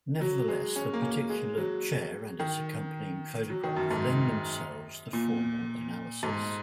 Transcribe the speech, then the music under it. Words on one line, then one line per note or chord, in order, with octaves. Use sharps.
Nevertheless the particular chair and its accompanying photograph lend themselves to formal analysis.
F#3
G#3
C#4
A#3
C#4
G#3
F#3
D#3
F#3
D#3
F#2
G#2
A#2
G#2